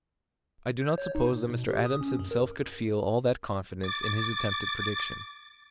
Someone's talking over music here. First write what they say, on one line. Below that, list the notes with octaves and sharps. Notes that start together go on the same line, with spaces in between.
I do not suppose that Mr. Adams himself could feel all that confidence in his attempted prediction.
G6
C#5
D#4
A#2
B2
G4
D#6
C#4
F#2
A#4
D6 A6